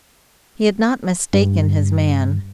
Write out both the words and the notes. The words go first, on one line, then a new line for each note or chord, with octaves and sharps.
He had not mistaken his man.
G2